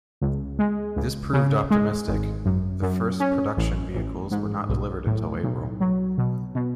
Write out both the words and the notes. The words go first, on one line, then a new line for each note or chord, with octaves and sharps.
This proved optimistic; the first production vehicles were not delivered until April.
C#2
G#3
C#2
C#3
G#3
G#1
F#2
F#2
C#4
A1
A1
G#2
B1
A2
B1
F#3
B2
B2